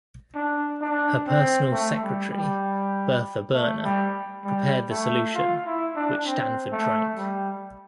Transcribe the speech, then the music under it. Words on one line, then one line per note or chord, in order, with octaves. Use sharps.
Her personal secretary, Bertha Berner, prepared the solution, which Stanford drank.
D4
D4
C4
A3
G3
G3
A3
G3
G3
A3
F4
E4
D4
C4
A3
G3